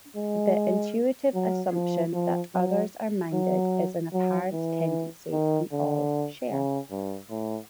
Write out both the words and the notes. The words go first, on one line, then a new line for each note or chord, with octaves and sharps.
The intuitive assumption that others are minded is an apparent tendency we all share.
G#3
F#3
F3
F3
F#3
F#3
F#3
E3
D#3
D3
C#3
G2
A2